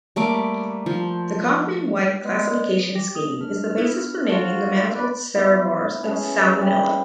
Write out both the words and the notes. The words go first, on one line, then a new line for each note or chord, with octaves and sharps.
The Kauffman-White classification scheme is the basis for naming the manifold serovars of "Salmonella".
G3 A3 A#3 D6
F3
G#3 B3 D5
G4 A#6
D#6
D4 F6
B3 E4
F4 F#4 A4
B4 D5
B3 E4
A3 C#4 G#4
G3